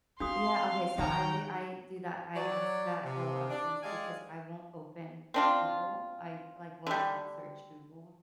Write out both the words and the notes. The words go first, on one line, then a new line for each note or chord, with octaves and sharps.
Yeah, okay, so I u I do that, I ask that a lot of things too 'cause I won't open Google. I, like, will not search Google.
C4 D4 F#4 F5 C6 D#6
D#3 D#4 C#5 G5 A#5
F#3 D5
C3
D4
G#3 G4 D5 D#5 F5 G#5
C4 D4 F4
D3 G3